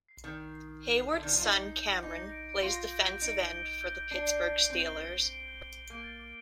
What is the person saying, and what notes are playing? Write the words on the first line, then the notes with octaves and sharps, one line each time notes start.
Heyward's son Cameron plays defensive end for the Pittsburgh Steelers.
C7
D#3 D#6
G6
C7
D#6
G6
C7
D3 G6
D#3
F3 D6
F4
D#4 G6
G6
G6
D6
D#4 D6
A#6
D7
D7
F4 D7
A#6
G6
G6
D#4 D7
A#6
G7
G6
G6
G6
D4 C7
C7
C7
G7
C4 G6
G7
G6
G6
D7
G6
D7
G7
A#3 D7
A6
D6